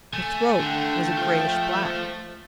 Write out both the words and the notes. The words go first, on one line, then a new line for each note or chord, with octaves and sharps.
Her throat was a grayish-black.
A3 G#5
D3 G5
F4 C5